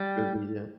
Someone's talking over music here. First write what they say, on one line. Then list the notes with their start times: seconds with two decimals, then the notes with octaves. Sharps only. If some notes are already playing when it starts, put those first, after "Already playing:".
review, yeah.
Already playing: G3